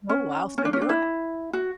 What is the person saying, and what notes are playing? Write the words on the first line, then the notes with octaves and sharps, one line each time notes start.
Oh, wow, so you're
C#4
C#4
D4
C#4
D4
E4
F#4